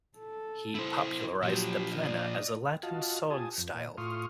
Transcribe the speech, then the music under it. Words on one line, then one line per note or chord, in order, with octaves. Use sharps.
He popularised the plena as a Latin song style.
A4
E4 C5
A#2 F3 F#3 G4
D5 D#5
F4 F#4 D#5 F5 A5
F4 G4 G#5 A5 D#6
F2
A#2
A2 F4 C6 C#6 D#6 F6